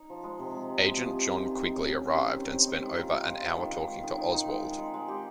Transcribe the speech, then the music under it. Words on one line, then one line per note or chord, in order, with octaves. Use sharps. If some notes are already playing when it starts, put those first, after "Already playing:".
Agent John Quigley arrived and spent over an hour talking to Oswald.
Already playing: D#4
F3
G#3
C3
G#3
C3
G#3
F3
G4
G#3
D#3
G#3
C#4
G4
C#4
D#3
C4
C4
D#3
G#3
F4
C4
F4
F4
D#3
D#3
G#3
D#3
D#3
D#4
G#3
D#3
G#3
G#3
G4